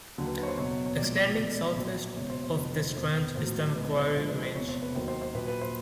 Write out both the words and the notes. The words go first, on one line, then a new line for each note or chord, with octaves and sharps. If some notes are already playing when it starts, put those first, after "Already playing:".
Extending southwest of this trench is the Macquarie Ridge.
D#2 D3 F#3
B4
B4
C#5
C5
F#1 E2 B2 F#3 C#5
C#5
B1 A#2 F3 G#3 D5
D5
E1 E2 B2 G#3
A#1 A#2 F#3
F#1 E2 B2 G#3 C#5
C5
C5
F1 F2 D3 B4
C5
E1 E2 C#3 C5
B4
A#1 A2 F#3 C5
C#2 B2 G#3 B4
C5
A#1 A#2 F3 G#3 C5
B4
C5
F1 E2 C3 C#5
C5
B4
D#2 D#3 F#3 C5
C5
C5
A#1 A#2 F#3 B4
B4
C5